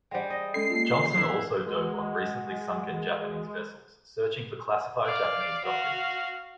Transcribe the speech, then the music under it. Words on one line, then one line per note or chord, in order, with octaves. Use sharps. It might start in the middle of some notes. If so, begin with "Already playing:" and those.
Johnson also dove on recently sunken Japanese vessels, searching for classified Japanese documents.
G3 G#3 C5 F#5 G5
D#5
G#3 C#4 A4 C7
A#3 F4
F2 E4 E5
G#3 F#4
D5 F5
F#4 F5